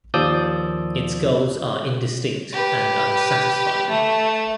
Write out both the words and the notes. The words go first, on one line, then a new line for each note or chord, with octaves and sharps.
Its goals are indistinct and unsatisfying.
D#2 F3 D5 D#6 E6 G6
G4 B4
A3